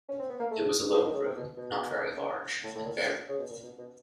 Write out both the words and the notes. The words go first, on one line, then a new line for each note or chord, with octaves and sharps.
It was a low room, not very large, and bare.
C#4
C4
B3
A#3
A3
F3
D#3
C#3
C3
B2
B2
A2
A2
A#2
A#2
A#2
C#3
B2
A#2
B2
B2